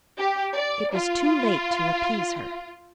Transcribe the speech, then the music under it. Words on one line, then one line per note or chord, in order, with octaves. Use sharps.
It was too late to appease her.
G4
D5
F4